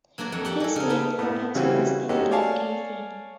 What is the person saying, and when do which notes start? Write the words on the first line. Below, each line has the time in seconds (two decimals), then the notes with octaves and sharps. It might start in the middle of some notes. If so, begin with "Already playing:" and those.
His main property was in Dungiven.
0.18 F#3 A#3 D4 F#4 D5
0.32 F2 F#5
0.45 G4 F#5 G5
0.60 G#3 A4
0.76 C#3 D#4
0.90 B3 G5
1.18 A2 A3 B3
1.55 C#3 E3 G3 C4 C#4 F#4
2.09 G#3 C#4 D#4 F#4 G4 A4
2.31 C#5 D5 F5 G#5 A5